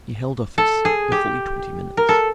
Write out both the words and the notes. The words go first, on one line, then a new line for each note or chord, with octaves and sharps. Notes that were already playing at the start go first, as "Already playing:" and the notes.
He held office for fully twenty minutes.
A4
G#4
G4
A#4
A4